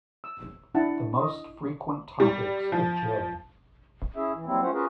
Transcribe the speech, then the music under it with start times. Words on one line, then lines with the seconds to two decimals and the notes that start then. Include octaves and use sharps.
The most frequent topics of J.
0.24 E6
0.75 D4 E4 F#5 A5
1.19 D#5
2.20 G3
2.72 F3
4.16 C#4 E4 G#4 E5
4.34 E3
4.46 F#3 G3 A#3 C4 E4
4.62 A3 C#4 F4 C5 F#5
4.73 C#4 F4 F#4 G#4 A#4 B4